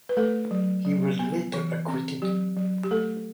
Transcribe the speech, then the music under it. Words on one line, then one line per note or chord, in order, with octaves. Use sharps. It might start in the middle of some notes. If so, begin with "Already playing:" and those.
He was later acquitted.
B4
A3 A4
F#3
F#3
B3
E3
C4
F#3 G4
F#3
G4
A3 A4